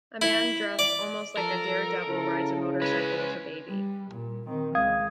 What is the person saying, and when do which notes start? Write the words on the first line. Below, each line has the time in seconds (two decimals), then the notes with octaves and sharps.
A man dressed almost like a daredevil rides a motorcycle with a baby.
0.22 E4
0.79 D5
1.37 F3 A4 A#4
2.09 C#3 E4
2.82 G#3 C#4 B4
3.68 G3
4.11 A#2
4.46 D#3 C4
4.75 C#2 G#3 F5 D#6 G#6